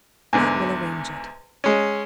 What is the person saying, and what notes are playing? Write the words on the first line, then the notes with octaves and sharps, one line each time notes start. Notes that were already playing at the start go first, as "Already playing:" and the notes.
"That will arrange it."
E2 G#2 D3
G#3 C#4